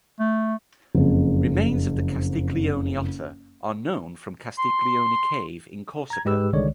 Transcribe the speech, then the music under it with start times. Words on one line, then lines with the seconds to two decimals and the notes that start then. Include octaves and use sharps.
Remains of the Castiglione otter are known from Castiglione Cave in Corsica.
0.20 A3
0.95 F#1 F2
4.58 C6
6.10 A#5 G#6
6.25 G#2 G#3 G4 B4 E6
6.53 C2 D3 D#3 G#3 C#5 D5